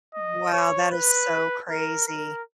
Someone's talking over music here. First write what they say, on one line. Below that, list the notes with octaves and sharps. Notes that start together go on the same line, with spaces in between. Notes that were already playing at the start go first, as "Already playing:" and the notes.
Wow. That is so crazy.
D#5
C#5
B4
A#4
A#4